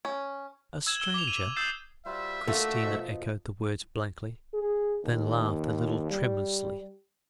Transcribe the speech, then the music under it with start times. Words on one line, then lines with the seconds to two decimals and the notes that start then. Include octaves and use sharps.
"A stranger?" Christina echoed the words blankly, then laughed a little tremulously.
0.05 C#4
0.87 E6 G#6 E7
1.00 E6 E7 G7
1.14 D6 F7
1.28 D#7
1.56 D#6 E6 G6 A6 C7 E7
2.06 G3 F4 F#4 C5 E5
2.48 A3 A#3 D4 F4 F#4 A4 E6
2.82 B2 F3 D#4
4.54 G#4
5.05 D#2
6.11 G3